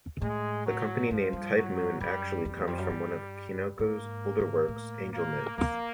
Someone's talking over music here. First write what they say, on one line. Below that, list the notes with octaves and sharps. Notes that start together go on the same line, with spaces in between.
The company name Type-Moon actually comes from one of Kinoko's older works, "Angel Notes".
A2 G#3
F#3
G2 F3
G2
F#3
F#2 G3
F2 G3
E2
F2
F#2
G2
G#2 A#3
A2
A#3
F2 A#3